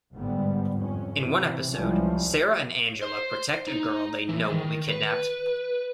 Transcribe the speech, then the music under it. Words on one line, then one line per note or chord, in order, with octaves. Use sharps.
In one episode, Sarah and Angela protect a girl they know will be kidnapped.
G1 G#2 D3 G3 B3
F2 C#4
C3 E3
C2 E3 F3 G3 G#3 C#4
C5
D#4
E3
D#3
B4